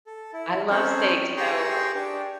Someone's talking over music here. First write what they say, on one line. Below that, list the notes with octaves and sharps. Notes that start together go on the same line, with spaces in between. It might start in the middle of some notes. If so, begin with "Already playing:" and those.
I love steak, so
A4
E4
C4 C#4 D#4 A4 C5 C#5
G4 G#4 G5 A#5 C6 C#6
D4 G4